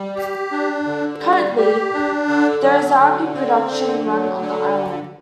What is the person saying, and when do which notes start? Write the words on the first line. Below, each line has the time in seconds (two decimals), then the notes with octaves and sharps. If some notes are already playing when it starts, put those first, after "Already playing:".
Currently, there is algae production run on the island.
Already playing: G3
0.15 G4
0.51 D4
0.87 D3
1.22 G3
1.58 G4
1.93 D4
2.28 D3
2.63 F#3
2.99 D3
3.35 C4
3.70 D3
4.06 F#3
4.40 D3